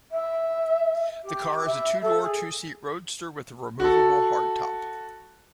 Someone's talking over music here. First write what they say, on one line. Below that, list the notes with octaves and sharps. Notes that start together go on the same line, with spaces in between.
The car is a two-door, two seat roadster with a removable hardtop.
E5
G4
E5
A4
G#4
F#4 A4